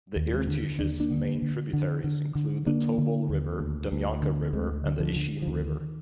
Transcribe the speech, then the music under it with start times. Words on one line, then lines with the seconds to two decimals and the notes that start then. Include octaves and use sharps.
The Irtysh's main tributaries include the Tobol River, Demyanka River and the Ishim River.
0.16 D#2
0.33 G#3 C4
0.47 D3
0.79 D#2 D4
1.00 A#3 D4
1.10 D3
1.42 D3
1.73 D3
2.04 D3
2.35 D3
2.66 D3 A#3 D4
2.98 D3
3.29 D#2
3.59 D2
3.92 D2
4.22 D3
4.53 D2 G#3 C4
4.85 D3
5.00 D3 F3
5.16 D3
5.42 F3
5.47 D2 D#3